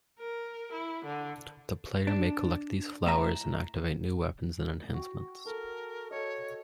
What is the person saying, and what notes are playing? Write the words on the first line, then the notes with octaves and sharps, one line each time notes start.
The player may collect these flowers and activate new weapons and enhancements.
A#4
E4
D3
D4
A2 E5 A#5
F#4 G5
A4 A#4
F#4 A4 C#5 D#5